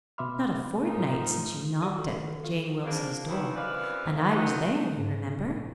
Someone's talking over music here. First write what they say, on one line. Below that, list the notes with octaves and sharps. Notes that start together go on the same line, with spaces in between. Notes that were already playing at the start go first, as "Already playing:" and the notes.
Not a fortnight since you knocked at Jane Wilson's door, and I was there, you remember.
B2 E5 B5 C6 D6 F6
A2 F3 D#4 A#4
F4 G4 D5 F#5
F#4 A4
D#3
A4
F4 A4 F5
F2 G#2 A#3 C4 D4
D#3 E3 F#3 A3 B3 D#4
F#2 E3 C4 B4 D5 F5
D#3 F#3 B3 D#4
G#2
A#1